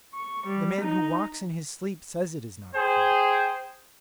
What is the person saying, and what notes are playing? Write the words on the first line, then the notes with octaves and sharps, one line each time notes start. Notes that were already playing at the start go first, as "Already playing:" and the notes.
The man who walks in his sleep says it is not a club.
C#6
G3
D#4
G#4 C5 G5